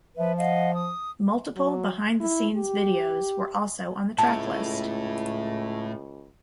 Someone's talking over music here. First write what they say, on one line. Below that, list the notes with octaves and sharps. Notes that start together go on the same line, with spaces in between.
Multiple behind the scenes videos were also on the track list.
F3 B4 E5
D#5 F5 F#5
D#6
F#3
E4
G4
C#2 A2 A5